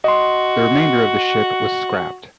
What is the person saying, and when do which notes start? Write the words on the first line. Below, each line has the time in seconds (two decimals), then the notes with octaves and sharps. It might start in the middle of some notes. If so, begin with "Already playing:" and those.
The remainder of the ship was scrapped.
0.04 F#4 D#5 C6